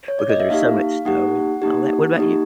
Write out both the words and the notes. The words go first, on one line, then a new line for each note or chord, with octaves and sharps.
because there's so much snow and all that, what about you?
C#5
D5
D#5
E5
A#3 D#4 G4 F5
A#3 D#4 G4 F#5
A#3 D#4 G4
A#3 D#4 G4